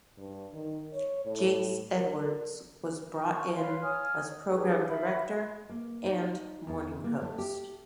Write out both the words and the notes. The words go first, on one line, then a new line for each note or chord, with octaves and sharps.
Jace Edwards was brought in as Program Director and Morning Host.
G2
D#3
C#5
A2
A#4
C#6
B4 C#5 F5 C6
C#5 G#5 D#6 F6
D4 G4 G#4 B4
E5 F5 B5
A#3
D#4
E2
A#3
A3
G4